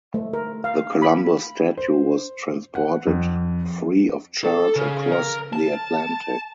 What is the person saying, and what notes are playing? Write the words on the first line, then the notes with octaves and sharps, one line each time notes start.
The Columbus statue was transported free of charge across the Atlantic.
A3
A#4
F5
B5
C5
F#5
F2
A4
C#3
A#4
A5